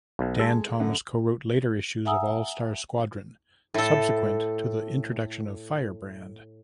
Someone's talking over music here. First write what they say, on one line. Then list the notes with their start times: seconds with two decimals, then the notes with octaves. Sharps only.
Dann Thomas co-wrote later issues of "All-Star Squadron", subsequent to the introduction of Firebrand.
0.19 B1
0.40 G#3 A4
0.80 F#2 D3
2.05 E5 F#5 G#5 A#5 D#6 E6
3.74 A2 A4